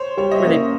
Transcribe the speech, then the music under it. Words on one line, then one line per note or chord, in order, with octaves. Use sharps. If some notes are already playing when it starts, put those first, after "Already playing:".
Where they
Already playing: C5 C#5
G3 C#5
D#5
E5
A#3 C#4
D#5